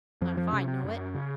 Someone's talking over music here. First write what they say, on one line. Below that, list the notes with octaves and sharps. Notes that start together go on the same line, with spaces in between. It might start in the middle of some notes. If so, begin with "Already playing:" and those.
Not if I know it.'
F2 F3
F3
C3 C#4
C4
F#2
C#3